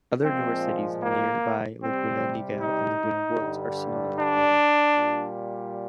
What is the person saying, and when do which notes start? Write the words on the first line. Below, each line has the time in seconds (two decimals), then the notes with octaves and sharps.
Other newer cities nearby-Laguna Niguel and Laguna Woods-are similarly named.
0.23 A#2 F3 G#3 C4
1.02 A#3
1.81 C3 G3 C4
2.60 D#4
3.38 G2 D3 G3
4.17 D4
4.96 A#2 G3